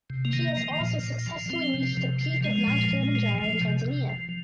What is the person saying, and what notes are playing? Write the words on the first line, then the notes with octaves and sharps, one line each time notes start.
She has also successfully reached the peak of Mount Kilimanjaro in Tanzania.
C3
A#3
D#3
F3
A#2
A#2
F3
F3 C4
C3
C3
F3
F3 G#3
A#2
A#2
F3
F3
C3
C3
F3